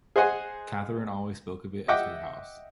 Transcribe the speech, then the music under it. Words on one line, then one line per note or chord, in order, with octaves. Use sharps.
Catherine always spoke of it as her house.
G#4 C5 D#5 F#5 G#5
D#5 E5 F#5 G5 D6